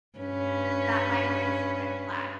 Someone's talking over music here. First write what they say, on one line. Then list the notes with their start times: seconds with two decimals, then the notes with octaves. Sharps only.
that might raise some red flags.
0.18 G2 C#4 B4